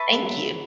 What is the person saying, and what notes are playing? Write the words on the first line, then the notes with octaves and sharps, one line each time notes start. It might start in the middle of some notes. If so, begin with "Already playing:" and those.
thank you.
Already playing: B4 E5 A5 C#6
G#3
F#3